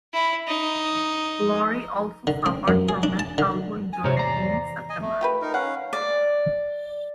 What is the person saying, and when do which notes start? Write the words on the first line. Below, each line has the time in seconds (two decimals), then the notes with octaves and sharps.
Lowry also suffered from an elbow injury in September.
0.13 E4
0.47 D#4
2.27 D3
2.46 C4
2.68 F#2
2.89 G#4
3.03 D4
3.19 A5
3.38 D3
3.93 G#5
4.04 G#2 C3 C5 C#5 A#5
4.16 E2 D5 A#5 A#6 C7
4.90 D#5 G#5
5.01 A3
5.21 F4 G4 B4
5.42 D#4 A#4
5.54 C#4 F5 F#5
5.93 D5